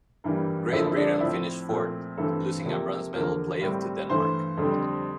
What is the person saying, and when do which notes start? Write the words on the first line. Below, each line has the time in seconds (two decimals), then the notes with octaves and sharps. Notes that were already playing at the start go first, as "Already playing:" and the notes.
Great Britain finished fourth, losing a bronze medal playoff to Denmark.
0.24 G2 E3 G3 A#3
0.72 F2 D3 F3 A#3 E4
0.86 E4
0.96 D4
1.20 A2 F3 C4 E4
1.69 A#2 F3 A3 C4
2.17 G2 E3 A3 C4 A4
2.65 C3 F3 A#3
3.13 E2 D3 F3 A#3 A#4
3.61 A2 G3 C4
4.09 G2 E3 A3 C5
4.57 F2 D3 G3 C4